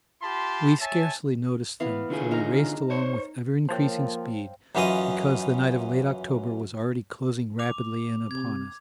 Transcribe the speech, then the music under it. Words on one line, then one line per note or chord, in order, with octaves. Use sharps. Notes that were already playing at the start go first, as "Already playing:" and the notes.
We scarcely noticed them, for we raced along with ever-increasing speed, because the night of late October was already closing rapidly in upon us.
F4 G4 A5 B5 C6
C#5 E5 G#5 A5
E3 B3 F5
D3 F4 G#4
D#4 A#4 A#5
C5 C#5
F3 A#3 C5 C#5 F5 G5 A5
F#2 E3 C#4 F4 D#5 D#6
D6 F7
C3 G#6